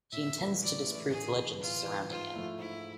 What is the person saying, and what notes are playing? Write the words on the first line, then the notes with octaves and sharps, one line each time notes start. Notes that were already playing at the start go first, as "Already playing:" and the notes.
He intends to disprove the legends surrounding it.
A2 E5
E3 A3 E4
A2 D5
E3 A3 E4
A2 G#4
E3 B3
A2 F4
E3 B3
G#2 F4
F3 A3 E4
G#2 E4